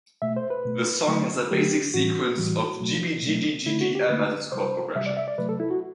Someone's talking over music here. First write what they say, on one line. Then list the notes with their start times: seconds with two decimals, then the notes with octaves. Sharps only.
The song has a basic sequence of G-B-G-D-G-Dm as its chord progression.
0.22 B2 A3 E5
0.36 C5
0.50 B4
0.65 B2 A3
1.07 D3 F#3 A3
1.51 D3 F#3 A3 G4
1.94 A2 E3 G3 F#4
2.37 A2 E3 G3
2.80 B2 F#3 A3
3.23 B2 F#3 A3
3.66 D3 A3 E4
3.81 F#4
3.95 G4
4.09 D3 A3 B4
4.52 C3 G3 C5
4.95 C3 G3 E5
5.06 D5
5.17 E5
5.28 D5
5.38 C3 F#3 A3 B4
5.49 A4
5.60 E4
5.70 F#4